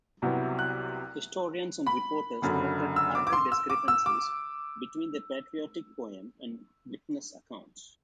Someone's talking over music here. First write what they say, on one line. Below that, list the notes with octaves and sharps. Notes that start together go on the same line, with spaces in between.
Historians and reporters noted other discrepancies between the patriotic poem and witness accounts.
C2 C3 F#3 B3 E4
F#6
B5
F#1 F#2 D3
E6
D6
D6
C6
E6
D6
E6
D6